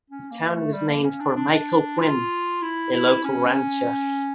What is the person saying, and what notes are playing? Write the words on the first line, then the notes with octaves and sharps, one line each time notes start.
The town was named for Michael Quinn, a local rancher.
C#4
A#3
A3
G3
A#3
C#4
D4
D4
F4
E4
E4
C#4